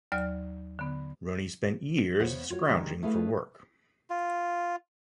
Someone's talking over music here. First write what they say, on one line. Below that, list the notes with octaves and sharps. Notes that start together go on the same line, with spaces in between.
Roney spent years scrounging for work.
D#2 F#3 D5 F6
D3 B3
E2 B3 C5 C#5 F5 F#5
F4 F#4 C#5
D3 D#3 G3 G#3
A3 E4 G#4 A4 B4 F5
F4